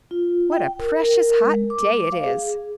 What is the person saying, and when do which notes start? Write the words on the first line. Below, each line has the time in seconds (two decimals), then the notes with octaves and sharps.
"What a precious hot day it is!"
0.11 F4
0.52 G5
0.79 A#4
1.00 A#4
1.44 G#3
1.70 D6
2.12 F5
2.24 G#4